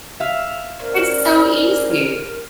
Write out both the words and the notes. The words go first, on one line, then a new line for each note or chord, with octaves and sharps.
it's so easy.
E5 F5
C#4 A#4 C5 D5